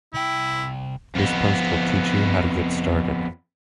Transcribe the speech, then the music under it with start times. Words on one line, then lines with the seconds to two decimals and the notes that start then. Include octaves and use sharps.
This post will teach you how to get started.
0.14 C2 E4 G5
1.16 F2 B3